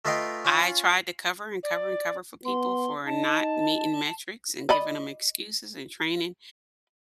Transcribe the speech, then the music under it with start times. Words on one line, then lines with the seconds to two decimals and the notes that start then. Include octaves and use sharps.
I tried to cover, and cover, and cover for people for not meeting metrics and giving 'em excuses and training,
0.05 A3 F4 B4 D#5 F5 G5
0.45 C#4 F4
1.63 D5
2.45 B3 C6
3.06 D#4 A5
4.69 D5 D#5 B5